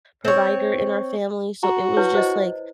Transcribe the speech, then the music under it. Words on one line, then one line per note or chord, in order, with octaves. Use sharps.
provider in our family, so it was just, like,
C4 C#5
F#4 A#5
E4 B4 C#5
C5 D#5